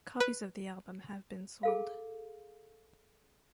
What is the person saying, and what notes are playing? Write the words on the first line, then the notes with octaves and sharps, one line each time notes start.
Copies of the album have been sold.
B4
G#4 A4 F5